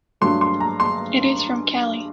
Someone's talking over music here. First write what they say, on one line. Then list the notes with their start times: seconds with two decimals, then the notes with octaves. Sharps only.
It is from Cali.
0.21 G2 F#3 A3 C6
0.41 C6
0.60 A#5
0.80 C6